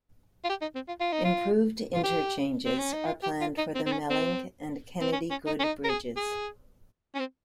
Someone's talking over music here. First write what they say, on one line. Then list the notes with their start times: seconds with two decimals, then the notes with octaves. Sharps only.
Improved interchanges are planned for the Melling and Kennedy-Good bridges.
0.44 F4
0.49 G4
0.61 D#4
0.75 C4
0.88 F4
1.00 F4
1.13 D#4
1.24 F4
1.94 F4
2.03 G4
2.66 C4
2.79 C#4
2.93 D#4
3.07 F4
3.23 G4
3.41 F4
3.58 D#4
3.75 C4
3.86 C4
3.92 C#4
4.10 C4
5.01 C4
5.13 C#4
5.30 C#4
5.47 D#4
5.60 C#4
5.64 D#4
5.84 A#4
5.90 G#4
6.16 G#4
7.15 C#4
7.19 C4